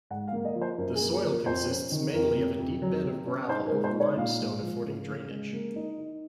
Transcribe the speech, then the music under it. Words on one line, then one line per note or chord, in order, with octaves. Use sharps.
The soil consists mainly of a deep bed of gravel over limestone affording drainage.
G#2 F#5
F5
A#3
D#5
F3
C5
F#2 A#4
G#4
A#3
G#4
F3
A#4
F2 C5
C#4
D#3
F2 A#4
C3
F2
F#3
C3
C#4
D#4 C5
A#4
G#3
C5
D#4 C#5
A#2 F5
G#3
F3
C#3
C#3
G#3
A#3
D#4
D#4